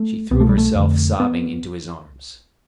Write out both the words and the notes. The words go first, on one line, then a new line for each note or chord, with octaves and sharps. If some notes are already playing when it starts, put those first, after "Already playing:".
She threw herself sobbing into his arms.
Already playing: A3
C2 B2 B3
A3
G3
A3
F2 D3
B3